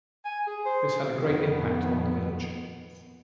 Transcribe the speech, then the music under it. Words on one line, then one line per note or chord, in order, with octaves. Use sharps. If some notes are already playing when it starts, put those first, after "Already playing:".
This had a great impact on the village.
G#5
G#4
C5
F2 D#3 B3